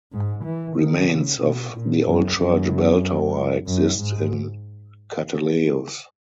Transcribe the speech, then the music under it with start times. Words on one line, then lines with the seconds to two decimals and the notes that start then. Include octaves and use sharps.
Remains of the old church bell-tower exist in Kateleios.
0.12 G#2
0.45 E3
0.77 D#3
1.08 C#3
1.41 B2
1.73 A#2
2.05 F#2
2.37 F#2
3.66 F#2
3.99 G#2